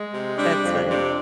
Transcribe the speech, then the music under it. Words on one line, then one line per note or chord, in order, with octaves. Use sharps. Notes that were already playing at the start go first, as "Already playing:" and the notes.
That's funny.
Already playing: G#3
C3
G3 D4
F2
C3 D4